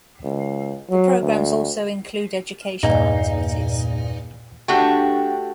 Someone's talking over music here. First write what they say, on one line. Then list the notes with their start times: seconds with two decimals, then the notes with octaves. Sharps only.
The programs also include educational activities.
0.24 C#2
0.90 F#3
1.21 D2
2.83 E2 G2 A#2 D#4
4.68 A3 D4 F#4 G4 F#5 G5